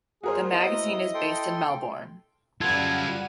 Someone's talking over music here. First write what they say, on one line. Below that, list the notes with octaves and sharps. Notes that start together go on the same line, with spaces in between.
The magazine is based in Melbourne.
G3 F#4 G#4 A#4 C5
B3 E4 D#5 D#6
A4 G5 C6
F#2 G3 F4 A4 B4 F#5 G#6 D#7